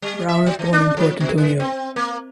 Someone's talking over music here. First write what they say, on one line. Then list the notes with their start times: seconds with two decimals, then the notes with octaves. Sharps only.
Brown was born in Port Antonio.
0.02 G3
0.28 E5
0.46 F#3
0.59 E3
0.73 D4
0.97 F3
1.20 B2
1.38 D#3
1.60 C4
1.96 A#3